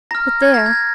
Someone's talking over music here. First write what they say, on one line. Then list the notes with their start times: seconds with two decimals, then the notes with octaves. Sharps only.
But there!
0.11 A#5 F6 A#6
0.42 G#6
0.54 A#6
0.66 G#6